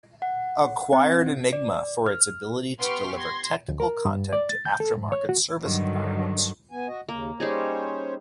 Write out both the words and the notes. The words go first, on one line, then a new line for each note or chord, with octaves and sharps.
Acquired Enigma for its ability to deliver technical content to aftermarket service environments.
F#5
C4
D5
F6
B3 G4 C6 C#6 F6 D7
C6 G#6 A#6
D2
A#4
G2
D5
A6
G6
A4
G#2
C#5
F#4
G2 D3 D#3 F#3
B3 G#5
F#4 D#5
D#2 C#3 A#3
G3 C#4 D#4 G#4 C5 C#5